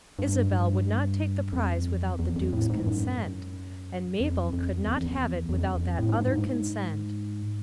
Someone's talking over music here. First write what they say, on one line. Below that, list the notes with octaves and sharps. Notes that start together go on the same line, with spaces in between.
Isabel would not take the prize without the Duke's consent;--and Mabel could not have it without that other consent.
G2
G2
F2
E2
F2
A2
G#2
F#2
F2
F2
E2
F2
E2
E2
F2
F2
A2
G#2
G2
G#2